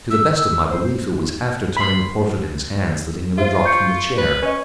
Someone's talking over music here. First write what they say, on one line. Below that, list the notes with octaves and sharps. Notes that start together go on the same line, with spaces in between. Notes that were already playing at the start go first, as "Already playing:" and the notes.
To the best of my belief it was after turning the portrait in his hands that he nearly dropped from the chair.
E6
E6
C5
B5 C6
F4 C5 E5
C#6 G6 C#7
B4
C#4 B4 D#5